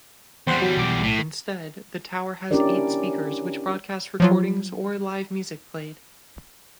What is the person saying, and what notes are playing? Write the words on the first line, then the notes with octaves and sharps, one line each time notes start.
Instead the tower has eight speakers which broadcast recordings or live music played.
E2 G3 C4 C5 F#5
F#3
B1 D6
A2
C#4 D4 E4 G4 A#4 D5
F3 F#3 F4